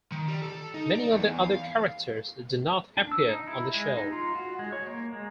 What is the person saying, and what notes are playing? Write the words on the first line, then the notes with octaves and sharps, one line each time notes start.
Many of the other characters do not appear on the show.
D#3
G3
A4
D#4
D5
E2
F5
D4
E6
D#4
E4
G#3
D#4
F4
F#4
G#3
C#5
A#3
G#3